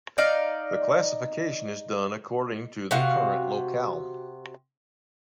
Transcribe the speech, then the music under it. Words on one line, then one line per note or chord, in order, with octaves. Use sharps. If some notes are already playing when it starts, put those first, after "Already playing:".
The classification is done according to the current locale.
D#4 D5 F5
C3 F#4 F5